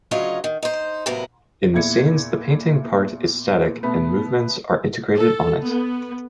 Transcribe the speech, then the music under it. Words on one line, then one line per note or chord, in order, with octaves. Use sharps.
In the scenes the painting part is static and movements are integrated on it.
D2 C#3 F#3 F4 C#5 D#5
D#3
D#4 C5
A2 C3 F#3 A#3 B3
E2 A#2 E4 G#6 C#7
B2 A3 B3
A4
B3